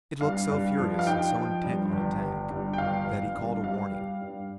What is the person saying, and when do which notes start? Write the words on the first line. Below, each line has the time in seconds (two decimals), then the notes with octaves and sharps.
It looked so furious and so intent on attack that he called a warning.
0.21 G2 F5
0.49 G2
0.78 F3
0.99 F5
1.06 D#4 G5
1.35 F3
1.64 G2
1.93 G1
2.21 G1
2.50 G2
2.73 G5
2.78 G1 F5
3.06 G1
3.35 G2
3.63 G3 F5
3.93 G3
4.21 G2